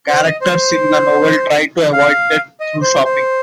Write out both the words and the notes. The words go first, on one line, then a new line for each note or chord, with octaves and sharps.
Characters in the novel try to avoid death through shopping.
C5
D#5
C5
F5
D#5
C5
C5